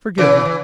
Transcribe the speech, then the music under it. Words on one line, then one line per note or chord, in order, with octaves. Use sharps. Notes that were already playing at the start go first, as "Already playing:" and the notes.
Forgive me! ...
C#3 E3
E3